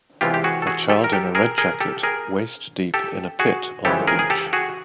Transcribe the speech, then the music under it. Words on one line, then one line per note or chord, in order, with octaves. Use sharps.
A child in a red jacket, waist deep in a pit on the beach.
E2 C3 E3 G#3 F4 G4
G4
F#4 G#4
A4
F#4 G#4
G4 A4
A#4
G4 A4
G#4 A#4
G#4 A#4
G4 A4
G#4 A#4
G4 A4
F#4 G#4
F2 C#3 E3 G#3 G4 A4
G#4 A#4
G#4
G4 A4
F#4 G#4